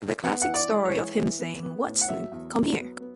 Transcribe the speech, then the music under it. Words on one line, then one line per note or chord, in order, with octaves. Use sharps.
The classic story of him saying Watson, come here!
B3 F#5
F#5
E3
D5
G#3
C#5
E3
E3
B3
B3
A2
F#5
F#3 E5
E2
F#3
B3
B3